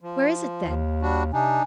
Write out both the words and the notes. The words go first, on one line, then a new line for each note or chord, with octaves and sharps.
"Where is it, then?"
F3
D#2
G3 D4 F#4
C3 D4 D#4 G#5